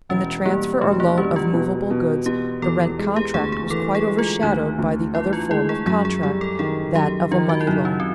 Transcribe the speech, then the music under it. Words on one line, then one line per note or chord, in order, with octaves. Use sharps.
In the transfer or loan of movable goods, the rent contract was quite overshadowed by the other form of contract, that of a money loan.
E1 C#4
G3 A#3
E1 A3
A#3
G3 C#4
F4
B2
B2
B2 G4
E2 A4
G#3
G4
D2 G#4
G#4
E3 A4
G#4
G#3
F4
D2 D#4
D2
E3 E4
F4
G#3 E4
G#4
F#2 G#4
G#4
G3 G#4
A4
D#3 G#4
F#2 G4
D#3 F4
F#4
E4
F#2 D#4
C#4
C4